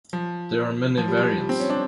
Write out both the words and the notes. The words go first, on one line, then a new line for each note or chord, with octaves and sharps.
There are many variants.
F3
F3
G3
F3
G3
C4
C#4
D4